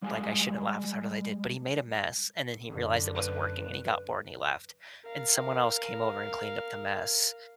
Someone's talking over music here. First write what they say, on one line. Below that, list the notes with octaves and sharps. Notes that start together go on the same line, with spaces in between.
like, I shouldn't laugh as hard as I did, but he made a mess. And then he realized it wasn't working, and he got bored, he left. And someone else came over and cleaned up the mess,
G3 G#3 F5 G#5
F#2 D3
B4
A#4 F5